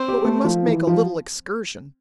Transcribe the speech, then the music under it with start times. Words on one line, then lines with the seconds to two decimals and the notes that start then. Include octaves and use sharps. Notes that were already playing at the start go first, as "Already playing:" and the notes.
But we must make a little excursion.
Already playing: C4
0.08 G4
0.25 A3
0.44 F3
0.66 E3
0.87 F3